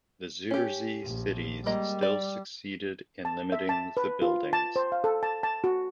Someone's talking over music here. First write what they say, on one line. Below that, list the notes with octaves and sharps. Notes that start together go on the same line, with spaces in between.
The Zuiderzee cities still succeeded in limiting the buildings.
C#4 G4
A#1
G3 G#3 A#3 D#5
D5
A5
E5
A5
B4
F4
A5
C5
F5
A4
A5
A5
F#4